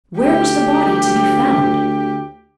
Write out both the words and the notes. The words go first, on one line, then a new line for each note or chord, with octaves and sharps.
Where was the body to be found?
D2 G4